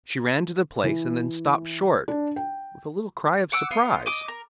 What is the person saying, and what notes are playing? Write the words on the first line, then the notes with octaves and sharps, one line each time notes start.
She ran to the place and then stopped short, with a little cry of surprise.
E3
D4
G5
F#5 D6 E6
B3 F4
D#5 D6
A#4